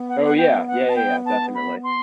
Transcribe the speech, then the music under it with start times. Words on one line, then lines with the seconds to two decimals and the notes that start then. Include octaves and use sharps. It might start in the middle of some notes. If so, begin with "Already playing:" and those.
Oh, yeah. Yeah, yeah, yeah, definitely.
Already playing: B3
0.09 F#5
0.24 F#5
0.38 G5
0.67 F#5
0.89 A5
0.96 G5
1.26 A5
1.55 B5
1.83 C6